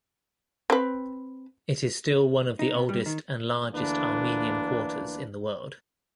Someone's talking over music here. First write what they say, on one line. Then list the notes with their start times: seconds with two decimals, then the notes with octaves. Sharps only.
It is still one of the oldest and largest Armenian quarters in the world.
0.70 C4 B4
2.59 D#4
2.75 C3
2.89 G3
3.06 D#3
3.73 D2 D3 E3 A#3 D4 B4